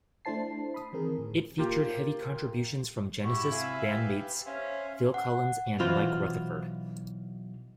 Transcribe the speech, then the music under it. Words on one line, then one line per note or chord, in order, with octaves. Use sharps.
It featured heavy contributions from Genesis bandmates Phil Collins and Mike Rutherford.
A3 D4 E4 C5 A5 C7
B5 D#6
D#3 E3 C4 G#4 A#4
A2
A#3 F4 G4
G#2 E4 F#4 G4 C#6
C3 E5 F5 G#5
G4 B4
C#4 C5 E5 F5 G#5
F#5
B1 E3 F4 F#4 C5